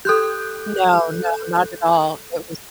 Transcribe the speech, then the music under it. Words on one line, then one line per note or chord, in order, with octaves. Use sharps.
No, no, not at all it was
G4 A4 C6 D#6 F#6 G6